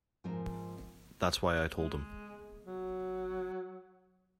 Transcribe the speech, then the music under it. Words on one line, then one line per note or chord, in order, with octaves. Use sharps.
That's why I told him.
G#2 F3 C4 D#4 A#4 G#5
G#3
F#3